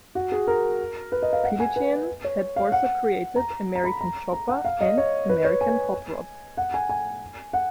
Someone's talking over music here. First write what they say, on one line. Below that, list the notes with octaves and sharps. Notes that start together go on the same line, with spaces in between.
Piligian had also created "American Chopper" and "American Hot Rod".
F#4
G#4
A#4
B4
D#5
F5
F#5
G#5
B4
C#5
F5
F#5
A#5
A#5
B5
A#5
A#5
F#5
F5
D#5
C#5
B4
C#5
G#5
F#5
G#5
G#5
F#5